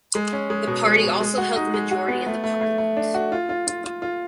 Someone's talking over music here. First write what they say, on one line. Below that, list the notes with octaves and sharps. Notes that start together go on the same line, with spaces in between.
The party also held the majority in the parliament.
G#3
C#4
G#3
B2
G#3
B2
G#3
F#4
D#4
G#3
F#4
B3
A3
A3
A3
A3
D4
F#4
F4
F4
F4
F4
F4